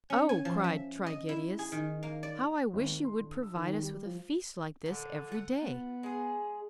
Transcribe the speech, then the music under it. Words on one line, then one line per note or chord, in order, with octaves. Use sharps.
"Oh," cried Trigetius, "how I wish you would provide us with a feast like this every day!"
C#4
G#5
F3
E5
D#5
E4
G#4
D#3
A#3
D5
G#1
A#3
C6
D3
D#6
E6
D#3
D#3
G3
F3
A#2 D3
F4 F#5
B3
G#3 G#4